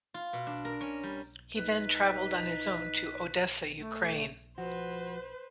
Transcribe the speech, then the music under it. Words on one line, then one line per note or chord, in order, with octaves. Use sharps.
He then travelled on his own to Odessa, Ukraine.
F4
B2
D4
A#4
C#4
G3
D#4 B4
A3
F3 F#4 B4 C5